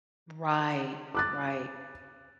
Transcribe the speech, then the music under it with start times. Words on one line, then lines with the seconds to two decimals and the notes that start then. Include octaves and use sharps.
Right, right,
1.15 D6 F#6 A6